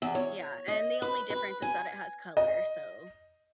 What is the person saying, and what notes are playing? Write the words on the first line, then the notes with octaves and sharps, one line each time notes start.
Yeah, and the only difference is that it has color, so,
E2
C#5
D#5
B4
B4
G#5
D#5